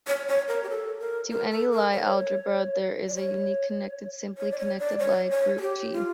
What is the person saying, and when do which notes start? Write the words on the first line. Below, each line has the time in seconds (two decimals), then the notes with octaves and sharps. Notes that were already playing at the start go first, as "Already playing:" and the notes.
To any Lie algebra, there is a unique connected, simply connected Lie group "G".
0.07 C#5
0.28 C#5
0.48 A#4
0.64 G4
0.69 A4
1.00 A#4
1.30 A#4
1.51 A4
1.72 A#4
1.92 C#5
3.08 D5
3.15 C#5
4.38 C#5
4.51 D5
4.59 C#5
4.79 D5
5.00 C#5
5.31 C#5
5.58 A4
5.61 G4
5.93 F4